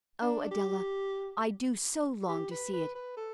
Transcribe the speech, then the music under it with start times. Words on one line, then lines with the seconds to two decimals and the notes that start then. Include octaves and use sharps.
"Oh, Adela, I do so long to see it."
0.22 D4
0.51 G4
2.28 G4
2.51 B4
2.73 B4
2.95 B4
3.17 A4